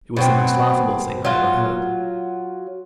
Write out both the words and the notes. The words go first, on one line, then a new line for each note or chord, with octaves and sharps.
It was the most laughable thing I ever heard.
B2 F#3 C4
F#3 F4